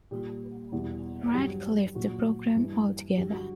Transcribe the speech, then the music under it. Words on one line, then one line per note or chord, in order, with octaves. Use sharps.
Radke left the program altogether.
A#2 G3 G4
E2 B2 G3
G2 F#3 G4
A#2 F#3 F#4
G2 E3 G3
G2 D3 F#3 G4
F#4